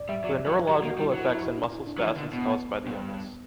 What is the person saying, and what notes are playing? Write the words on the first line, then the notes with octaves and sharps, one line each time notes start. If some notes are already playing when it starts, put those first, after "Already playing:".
For the neurological effects and muscle spams caused by the illness.
Already playing: D5
G3 E5
F#3 D5
F#3
F#3 G4
F#4
A#3
F#4
G3
E4
F#3 D4
E4
E4
F#4
D4
E4
D4
F#3
E3
D3
B2
B3
A#2
G2